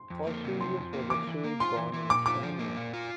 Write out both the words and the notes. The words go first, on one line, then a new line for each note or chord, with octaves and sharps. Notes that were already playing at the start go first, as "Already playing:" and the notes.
Forselius was a Swede born in Estonia.
Already playing: C6
F2
A#3
C3
F3 C6
F2
A#3
E3 D6
E3
A#3
F4 C6
E3
E3
A#2 D6
F4 D6
F3
A#3
A#2
F4